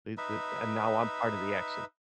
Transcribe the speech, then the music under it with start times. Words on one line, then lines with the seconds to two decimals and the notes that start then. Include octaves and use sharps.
Th th And now I'm part of the action.
0.18 D#4 B4 E5